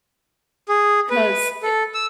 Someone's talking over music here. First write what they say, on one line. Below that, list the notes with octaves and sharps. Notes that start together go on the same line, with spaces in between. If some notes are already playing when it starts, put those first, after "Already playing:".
'cause, eh,
G#4
B4
A4
E6